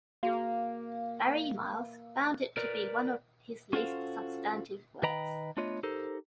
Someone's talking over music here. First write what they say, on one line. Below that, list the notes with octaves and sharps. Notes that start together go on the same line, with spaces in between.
Barry Miles found it to be one of his "least substantive" works.
A#3 F#4 G#4 F5
A#4 B4 D5
C#4 F4 F#4 A4 C5 F5
D#3 B4 D#5 G5 A#5 B5
A3 B3 D4 F4 C#5 D#5
D#4 G4 A4 A#4 C5